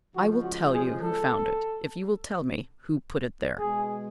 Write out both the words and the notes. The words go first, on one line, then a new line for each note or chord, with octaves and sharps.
"I will tell you who found it, if you will tell me who put it there."
C#3 F3 G#3 F#4
F#4
G#4
A4
B2 G#3 G#4